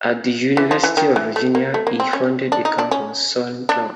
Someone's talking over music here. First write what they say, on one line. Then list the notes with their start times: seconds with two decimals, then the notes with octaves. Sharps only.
At the University of Virginia, he founded a campus soaring club.
0.57 E3
0.71 F3
0.83 E3
0.97 D#3
1.16 E3
1.36 A3
1.55 A#3
1.74 A3
1.87 A#3
2.00 C4
2.13 C#4
2.52 D4
2.65 D#4
2.79 D4
2.91 C#4
3.69 D4